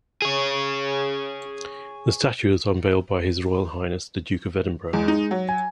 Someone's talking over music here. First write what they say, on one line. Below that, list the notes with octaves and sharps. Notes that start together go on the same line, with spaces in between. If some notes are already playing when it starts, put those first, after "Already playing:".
The statue was unveiled by His Royal Highness, The Duke of Edinburgh.
G#4 C#5
E2 G#3
D#4
F#3
G#5